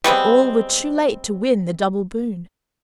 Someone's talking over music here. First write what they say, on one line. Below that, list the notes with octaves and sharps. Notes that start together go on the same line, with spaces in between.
But all were too late to win the double boon.
G3 G#3 B3 C4